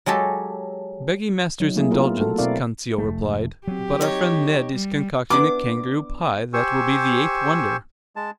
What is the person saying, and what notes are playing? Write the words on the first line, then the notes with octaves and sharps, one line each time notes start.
"Begging master's indulgence," Conseil replied, "but our friend Ned is concocting a kangaroo pie that will be the eighth wonder!"
F#3 G#3 G4 A4
F#3 D#4
F#3 A3 A#3 E4 G#4
A#3 B3 E4 F4 A#4
A3 F#4 A4
B2 C4 E4 A#4 D5 F5
F1 A3
F#3 C4 G4
D#4 C#5
G3
B3 D4 E4 D6
G4 C5 G#5 C#6 E6
G#3 A5